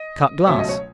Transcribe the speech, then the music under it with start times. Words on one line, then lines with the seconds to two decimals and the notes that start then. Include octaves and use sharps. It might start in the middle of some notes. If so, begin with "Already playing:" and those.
Cut glass.
Already playing: D#5
0.47 C#2 B2 F#3 A3 C#4 C#5 E5
0.59 D#5
0.69 C#5